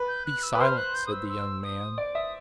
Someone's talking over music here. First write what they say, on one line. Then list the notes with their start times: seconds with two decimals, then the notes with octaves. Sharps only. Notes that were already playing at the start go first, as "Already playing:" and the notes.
"Be silent," said the young man.
Already playing: B4
0.08 G6
0.26 F#6
0.43 E6
0.55 B4
0.61 C5 F6
0.77 F#6
0.95 G6
1.07 D#6
1.12 E6
1.29 E6
1.64 D#6
1.98 D5 D6
2.15 E5 D#6